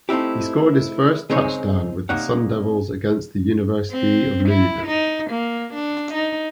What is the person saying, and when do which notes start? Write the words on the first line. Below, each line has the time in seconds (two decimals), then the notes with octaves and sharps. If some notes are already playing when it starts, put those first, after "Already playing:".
He scored his first touchdown with the Sun Devils against the University of Louisville.
0.09 A3 C4 D#4 E4 G4
1.30 C#3 G#3 C4 D#4 G#4 C#5
2.09 C2 C3 A#3 D#4 C#5 F#5
3.91 C4
4.49 E4
4.87 D#4
5.30 A#3
5.74 D4
6.14 D#4